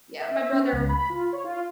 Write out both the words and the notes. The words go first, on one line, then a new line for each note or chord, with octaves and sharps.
Yeah, my brother
E5
E5
C#4
C#2
B5
F4
C#5
F4